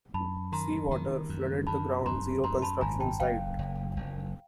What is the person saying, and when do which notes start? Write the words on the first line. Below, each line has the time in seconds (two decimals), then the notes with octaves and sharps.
Sea water flooded the Ground Zero construction site.
0.14 F#2 A5 B5
0.52 D#3 A#5 C6
0.91 D#3
1.29 F#2
1.67 F#2 A5 B5
2.06 F#2 A#5 C6
2.44 F#2 A#5 C6
2.62 A5 B5
2.81 G#1 G#5 A#5
3.00 G5 A5
3.20 F#1 F5 G5
3.59 F#1
3.97 F#1